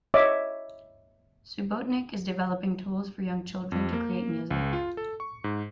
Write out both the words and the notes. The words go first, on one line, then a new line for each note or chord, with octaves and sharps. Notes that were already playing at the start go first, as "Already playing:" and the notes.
Subotnick is developing tools for young children to create music.
C#5 D#5 E5 D6
F2
A#3
C#2
F4
A4
C#6
G#2